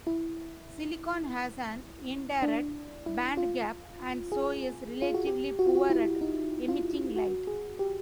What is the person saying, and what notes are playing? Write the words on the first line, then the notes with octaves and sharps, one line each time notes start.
Silicon has an indirect bandgap and so is relatively poor at emitting light.
E4
D4
E4
F4
G#4
F4
F#4
G4
F#4
F4
F#4
E4
D#4
F4
F#4
G#4
G4